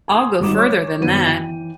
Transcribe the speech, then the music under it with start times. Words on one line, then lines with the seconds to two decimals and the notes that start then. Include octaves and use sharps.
I'll go further than that.
0.08 G#5 C6 D#6
0.40 G#1 G3 D#4 D6 E7
0.55 C#5 C#6 D6
1.01 F#2 D#3 B3 D#7
1.26 E3 G5